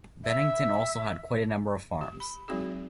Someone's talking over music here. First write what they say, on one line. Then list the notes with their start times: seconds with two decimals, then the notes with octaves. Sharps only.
Bennington also had quite a number of farms.
0.24 E5
2.01 G4
2.20 B5
2.48 F#3 G#3 C4 D#4 F#4 G#4